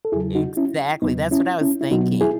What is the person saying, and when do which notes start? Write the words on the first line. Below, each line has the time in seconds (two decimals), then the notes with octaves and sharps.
Exactly, that's what I was thinking.
0.05 A4
0.12 E2 C#3 F#3 E4 G#4
0.35 D#4 F#4
0.57 C#4 E4
1.02 E2 C#3 F#3 B3 D#4
1.31 C#4 E4
1.61 C#4 E4
1.81 E4
1.91 B2 F#3 B3 D#4 F#4
2.21 E4 G#4